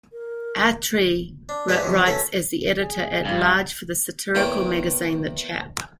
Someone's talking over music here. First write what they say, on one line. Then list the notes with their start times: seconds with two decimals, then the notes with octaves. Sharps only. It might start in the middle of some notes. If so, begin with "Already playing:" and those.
Attree writes as the editor at large for the satirical magazine "The Chap".
0.13 A#4
1.49 D4
1.68 G#2 B3 D4 G4 B4 D#6
1.81 C3 D#3 F3 F#3
2.06 F#3 A3 C#4 A4 B4
2.82 G#4
3.25 G2
4.35 E2 A#3 C#5 G5